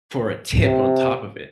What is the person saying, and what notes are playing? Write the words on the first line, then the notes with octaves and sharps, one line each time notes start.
for a tip on top of it?
C3